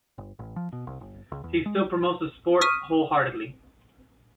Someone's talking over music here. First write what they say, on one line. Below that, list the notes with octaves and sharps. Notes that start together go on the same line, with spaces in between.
He still promotes the sport wholeheartedly.
G1
A1
F3
B2
C2
G1
C#2
E2
G#3
C#6 D#6 F6 B6 D#7